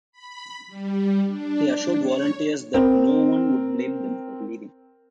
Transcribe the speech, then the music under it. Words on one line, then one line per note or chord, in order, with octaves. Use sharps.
He assured volunteers that no one would blame them for leaving.
B5
G3
D4
C#5
C4 A#4